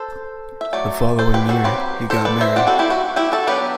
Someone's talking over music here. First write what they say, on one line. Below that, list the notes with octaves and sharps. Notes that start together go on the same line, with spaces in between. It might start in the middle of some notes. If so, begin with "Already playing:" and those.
The following year, he got married.
Already playing: A4 C5
E5
F#3 A3 D5
A4 C5
G4 B4
F#4 A4
F#3 C4 G4 B4
A4 C5
B4 D5
C5 E5
G3 C4 D5 F#5
F#4 A4
E4 G4
F#4
E4 G4
F#4 A4
F#3 B3 D4 G4 B4